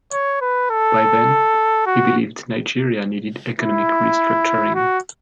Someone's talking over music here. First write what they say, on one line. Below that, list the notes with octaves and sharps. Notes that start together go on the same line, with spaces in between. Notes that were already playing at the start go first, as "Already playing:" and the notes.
By then, he believed Nigeria needed economic re-structuring.
C#5
B4
A4
F#4
E4
F#4